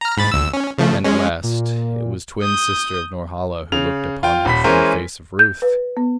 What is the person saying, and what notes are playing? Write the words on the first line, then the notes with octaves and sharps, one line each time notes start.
And at last it was twin sister of Norhala who looked upon her from the face of Ruth!
A#5 F6
G#2 B5 A6
D2 E6
C#4
C#3 F3 A3
G#3 C#4
A#2
D#6 G6
C#3 F7
F4 G5
D#1 B5 B6
E3 G#3 C#4 A#4 C5
G6
B4
B3